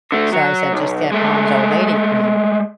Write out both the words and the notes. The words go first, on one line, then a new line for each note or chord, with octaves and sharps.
So, I said, "Just get mom's old lady cream,"
D3 A3
F#3
B1
G#3 A3